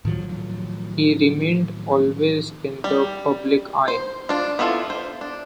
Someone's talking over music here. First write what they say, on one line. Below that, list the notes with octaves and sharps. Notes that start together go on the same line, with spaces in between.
He remained always in the public eye.
A2 D#3 F3 F#3
G3
C5
D4 F4
B3 D4 E4 F4 A4
C5
D4